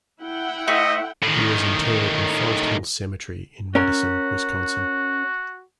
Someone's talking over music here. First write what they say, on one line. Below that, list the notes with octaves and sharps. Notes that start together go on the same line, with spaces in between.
He was interred in Forest Hill Cemetery in Madison, Wisconsin.
E4 F#5 G5
A3 C5 D#5 E5
A2 D#3
C#4 F#4 A#4